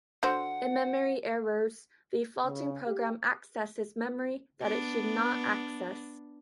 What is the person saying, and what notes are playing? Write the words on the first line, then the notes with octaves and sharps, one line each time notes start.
In memory errors, the faulting program accesses memory that it should not access.
D3 F#4 C5 F#5
C#3
G4
B3 D4